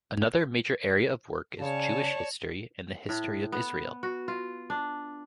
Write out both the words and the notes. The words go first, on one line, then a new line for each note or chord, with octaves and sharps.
Another major area of work is Jewish history and the History of Israel.
C#3 C#5 D5 A5
A2
B3
F#4
F4
D4